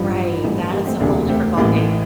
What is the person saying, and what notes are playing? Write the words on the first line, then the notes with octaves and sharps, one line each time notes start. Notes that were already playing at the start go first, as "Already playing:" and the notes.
Right, that's a whole different ballgame.
Already playing: A1 G2 F3
A1 G2 E3 A3
A3
G3 A#3
A3 C4
E1 D2 C3 A#3 D4
A3 C4
A1 A2 E3 G3 A#3
A3